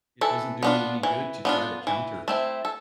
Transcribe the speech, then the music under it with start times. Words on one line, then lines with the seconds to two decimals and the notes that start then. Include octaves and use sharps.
It doesn't do me any good to try to counter,
0.21 E3 A4
0.63 B3 D4 F4
1.03 E3
1.45 B3 D4 F4
1.87 E3
2.28 A3 C4 E4
2.65 A4